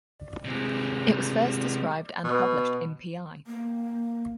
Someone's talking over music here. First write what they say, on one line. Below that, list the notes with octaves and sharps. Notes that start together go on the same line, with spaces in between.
It was first described and published in Pl.
C3 G#3
B2
A#3